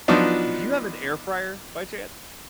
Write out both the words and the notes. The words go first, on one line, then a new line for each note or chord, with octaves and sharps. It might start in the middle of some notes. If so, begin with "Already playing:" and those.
do you have an air fryer, by chance?
F3 F#3 B3 D4 D#4 F4